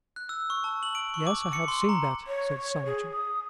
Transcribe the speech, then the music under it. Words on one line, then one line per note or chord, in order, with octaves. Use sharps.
"Yes, I have seen that," said Sancho.
F#6
E6
C#6
A5
F#7
D7
C#6
D6
C#7
C6
A#5
C#5
G#4
D#6